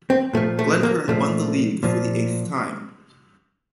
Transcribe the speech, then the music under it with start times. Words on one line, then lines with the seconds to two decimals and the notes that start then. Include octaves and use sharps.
Glentoran won the league for the eighth time.
0.10 C4
0.33 A#2 F3 A3
0.59 A3
0.83 A#3
1.08 A#2 F3 A3
1.83 A#2 F3